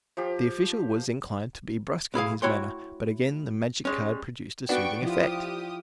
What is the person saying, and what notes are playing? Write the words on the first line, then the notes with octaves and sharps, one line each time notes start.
The official was inclined to be brusque in his manner, but again the magic card produced a soothing effect.
F3 G4
B1 E4 G#4 F5
A3 E4 F#4 C#5 G5 C6
G3 G#3 C#4
B3 D4 F#4 G5 C#6 D7
F3 E4 F4 G4 D#6